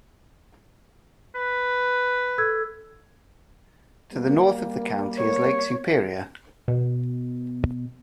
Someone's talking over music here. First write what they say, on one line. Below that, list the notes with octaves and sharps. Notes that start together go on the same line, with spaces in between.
To the north of the county is Lake Superior.
B4
A4 E6 G#6
G3 A#3
C#5
B2